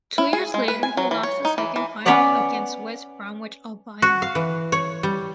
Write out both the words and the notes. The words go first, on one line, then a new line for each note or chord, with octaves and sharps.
Two years later he lost a second final against West Bromwich Albion.
E4
G#4
G#3
B4
G#5
F#3
E3
C#5
D#4
E3
E3
B3 C#4 B4 C#5 D5 F#5
F#4
F5
E3
C#5
G3